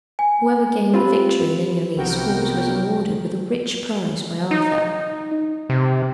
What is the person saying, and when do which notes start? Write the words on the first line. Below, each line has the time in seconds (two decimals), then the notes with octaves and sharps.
Whoever gained the victory in any of these sports was awarded with a rich prize by Arthur.
0.19 G#5
0.94 C4 F4 G4 B4
1.95 C2 C3 B3 F#4 A#4 G5
4.51 D#4
5.69 C3